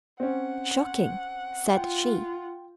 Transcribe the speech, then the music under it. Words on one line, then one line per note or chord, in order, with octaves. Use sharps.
"Shocking!" said she.
C4 C#4 F#5
F4 G5